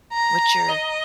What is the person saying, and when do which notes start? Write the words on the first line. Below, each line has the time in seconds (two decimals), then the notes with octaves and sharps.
What's your,
0.13 A#5
0.68 D#5